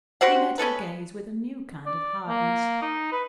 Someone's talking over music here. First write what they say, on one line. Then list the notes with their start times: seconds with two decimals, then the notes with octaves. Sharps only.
He met her gaze with a new kind of hardness.
0.21 F#4 G4 C5 F#5
0.58 C#4 G#4 A4 B4
1.86 D5
2.29 A#3
2.82 D#4
3.12 B4